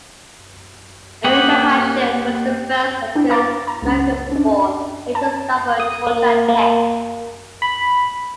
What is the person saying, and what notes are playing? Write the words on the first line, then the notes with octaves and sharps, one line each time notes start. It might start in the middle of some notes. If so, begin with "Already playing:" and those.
Eddie McAshan was the first African American football player to start for Georgia Tech.
A#3 G4 C#5 D#5 F#5
D4 E4 G5
B4 F5 A#5 D6 A6
A#5
C#2 C#4
C#4 D4
A5
D#6
A#3
A#3
B5